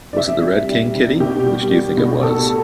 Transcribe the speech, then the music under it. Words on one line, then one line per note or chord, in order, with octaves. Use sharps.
Was it the Red King, Kitty? Which do you think it was?
D5
C3 E5
G3
G3
C3
B2 G4
G3
G3
B2
A2 A4